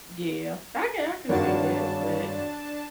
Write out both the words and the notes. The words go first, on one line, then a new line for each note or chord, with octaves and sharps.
Yeah. I can I can see that, but
G#1 G2 C#3 D4 F#4 C#5 A5